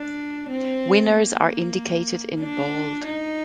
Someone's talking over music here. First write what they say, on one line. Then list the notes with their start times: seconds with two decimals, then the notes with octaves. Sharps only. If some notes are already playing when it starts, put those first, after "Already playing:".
Winners are indicated in bold.
Already playing: D4
0.49 C4
1.13 A#3
2.41 D4
3.04 D#4